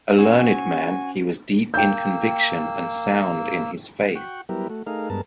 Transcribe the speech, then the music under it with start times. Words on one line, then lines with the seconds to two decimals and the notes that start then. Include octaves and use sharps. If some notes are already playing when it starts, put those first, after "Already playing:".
A learned man, he was deep in conviction and sound in his faith.
0.18 C#4 F#4 C5 F#5 G#5
1.74 A#3 G5 E6 G6
4.15 F#4 F#5 G5 C#6
4.49 F#3 G3 B3 E4 G4 A#4
4.70 A3 F#4
4.87 A3 D#4 G#4 A#4 F5
5.10 G2 G#3 B3 A#4 A5